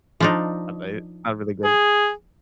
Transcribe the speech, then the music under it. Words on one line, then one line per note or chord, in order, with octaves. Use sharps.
uh, they I don't really get it.
F3 D4 D#4
G#4